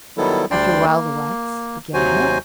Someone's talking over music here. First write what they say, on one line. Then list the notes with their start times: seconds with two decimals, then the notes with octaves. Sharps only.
After a while the wax began to melt.
0.18 D#3 F#3 G3 B3 E4 A4
0.51 D2 G3 D4 D5 G5 C6
0.86 A#3
1.94 D#2 C3 F#3 F#4 C5 G#5